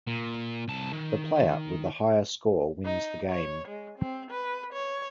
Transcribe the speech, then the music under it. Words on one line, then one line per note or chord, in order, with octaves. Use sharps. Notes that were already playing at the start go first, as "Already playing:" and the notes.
The player with the higher score wins the game.
A#2
C2 A5
D#3
D#4
C#5
G#3
C4
B4
C#5